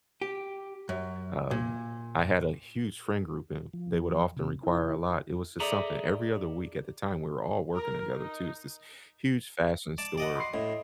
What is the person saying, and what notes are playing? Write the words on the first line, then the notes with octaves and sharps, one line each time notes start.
Um, I had a huge friend group, and they would often require a lot. It was just something every other week at the time, we were all working together too. It's this huge fashion store
G4
F#2
A#2
F3
C3
E4
G#4 A4 D5 E5 A#5
A#4
D#4
D5 A5
D5 D#5 F#5
B5 C6 C7
A2 D#5